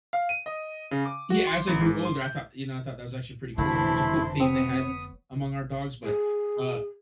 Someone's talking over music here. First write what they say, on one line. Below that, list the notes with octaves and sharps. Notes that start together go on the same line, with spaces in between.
Yeah, as I grew older, I thought, you know, I thought that was actually pretty cool, like, it was a cool theme they had among our dogs, but, uh
F5
D#7
D#5
C#3
D6
F#4
C6
A1
G#2
C6
G6
F1 D3 E3 A3 D4 E4 C5
B3 C4 C#5 D#6
G#4